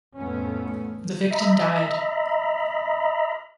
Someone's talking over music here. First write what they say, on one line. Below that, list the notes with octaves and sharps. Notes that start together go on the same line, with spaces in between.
The victim died.
A1 F2 A3 B3 C#4
D#5 E5 A#5 B5